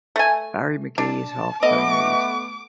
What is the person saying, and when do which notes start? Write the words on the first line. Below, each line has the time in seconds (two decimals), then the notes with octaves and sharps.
Barry McGee is half Chinese.
0.16 A3 G#5
0.98 D4 A5
1.63 A3 B3 D#5 D6